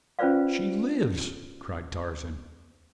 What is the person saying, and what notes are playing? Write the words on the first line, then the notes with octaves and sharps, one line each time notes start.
"She lives!" cried Tarzan.
C#4 F4 B4 C5 D5 F5